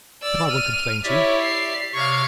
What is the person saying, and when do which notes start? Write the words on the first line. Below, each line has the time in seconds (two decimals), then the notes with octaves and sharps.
But I won't complain to you!
0.22 D5 E6
0.52 F6 D#7
1.03 E4 G4 C#5 D5 E5
1.41 C7
1.94 C3 C#5 F5 C#6